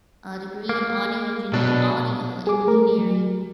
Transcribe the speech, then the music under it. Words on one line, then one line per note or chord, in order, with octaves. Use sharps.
a degree in audio enginee audio engineering
A#3
B2 F#3 D4
G#4 D6
A3 A#4
F#3